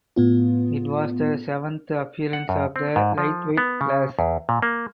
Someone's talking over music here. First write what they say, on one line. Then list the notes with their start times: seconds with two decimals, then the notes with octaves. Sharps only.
It was the seventh appearance of the lightweight class.
0.16 A2 B3 F4
2.33 F#5
2.49 F#2
2.76 C4
2.96 G#2
3.18 F3
3.57 B3
3.81 C#3
4.19 E2
4.49 A#2
4.62 A#3